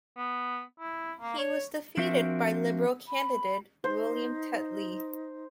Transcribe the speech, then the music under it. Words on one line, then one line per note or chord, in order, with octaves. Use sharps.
He was defeated by Liberal candidate William Tetley.
B3
E4
A#3
C#5
F3 C4 D4 F#4 A#4 E5
B5
D#4 C5